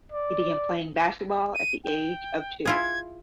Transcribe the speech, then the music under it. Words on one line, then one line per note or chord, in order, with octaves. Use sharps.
He began playing basketball at the age of two.
D5
D#7
G5
E4 F4 G#4 G#6